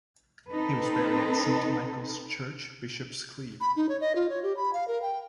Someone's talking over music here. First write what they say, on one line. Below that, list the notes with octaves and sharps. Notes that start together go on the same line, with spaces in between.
He was buried at Saint Michaels church Bishops Cleeve.
C4 D#4 A4 B4
B5
D#4
C#5
D#5
F4
C#5
G4
B5
F5
A#4
G5